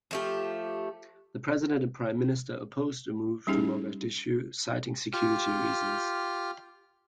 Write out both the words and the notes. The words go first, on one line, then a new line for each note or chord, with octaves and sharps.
The President and Prime Minister opposed a move to Mogadishu, citing security reasons.
F3 A3 G4
G3 C#4 D#4 G4 G#4
F4 G4 F6